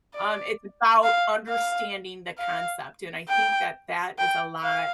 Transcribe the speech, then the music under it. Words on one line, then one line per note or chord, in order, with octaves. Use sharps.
Um, it's about understanding the concept, and I think that that is a lot
D5
F5
F5
F5
G5
G5
F5